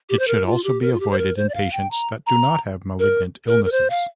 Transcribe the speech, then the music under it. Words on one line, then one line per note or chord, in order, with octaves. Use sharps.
It should also be avoided in patients that do not have malignant illnesses.
G4
C5
A#4
F4
G4
A#4
F4
G4
C5
A#4
C5
D5
F5
G5
A#5
A#5
A#4
A#4
A#4
C5
F5